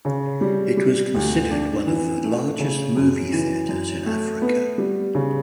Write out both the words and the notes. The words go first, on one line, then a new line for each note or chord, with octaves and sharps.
It was considered one of the largest movie theaters in Africa.
C#3
G3
G3
D2
D4
E3
A3
C#3
F#2
E3
F#2
A3
B3
G3
C#3